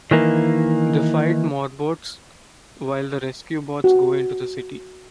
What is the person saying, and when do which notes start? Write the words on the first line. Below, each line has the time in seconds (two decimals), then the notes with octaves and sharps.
They fight Morbots, while the Rescue Bots go into the city.
0.11 D#3 E3 A#3
3.84 F#4